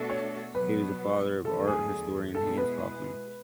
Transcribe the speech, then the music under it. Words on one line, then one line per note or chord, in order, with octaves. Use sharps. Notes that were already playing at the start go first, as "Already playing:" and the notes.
He was the father of art historian Hans Kauffmann.
Already playing: B2 A3 D4 F#4 A4
C#5
B2 F#3 B3 B4
E2 D3 F#3 A3 A4
G#4
B2 G#3 B3 E4 G#4 A4
B4